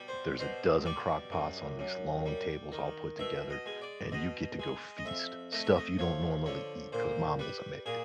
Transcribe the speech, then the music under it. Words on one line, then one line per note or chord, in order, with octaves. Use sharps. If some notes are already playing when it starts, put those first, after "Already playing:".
There's a dozen crock pots on these long tables all put together, and you get to go feast, stuff you don't normally eat 'cause mom doesn't make it.
Already playing: B2 G3
C5
B2 C5
G3 D5
F#2
F#2
G3
D#3
B2 E5
D#5
G#3
D5
B2 D#5
G#3
D#5
F2 E5
A3 D#5
E5
D#5
F3 C#5
D3 C#5
A#2 C5
G3 B4
A#2 G#4